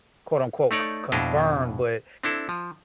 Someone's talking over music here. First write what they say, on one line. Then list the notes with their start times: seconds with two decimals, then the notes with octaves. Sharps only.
quote, unquote, "c confirmed," but
0.71 A3 D#4 C#5 D5
1.12 F2 B2 D4 E4 D#5 F5
2.23 C4 D4 E4 A4
2.49 F3